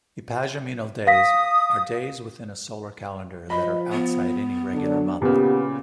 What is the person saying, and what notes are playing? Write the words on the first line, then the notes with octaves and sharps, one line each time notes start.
Epagomenal days are days within a solar calendar that are outside any regular month.
F5 D#6 A#6 B6
F3 D#5 B5
B3
D3 F#3 D4
A#2 C#3 B3 G4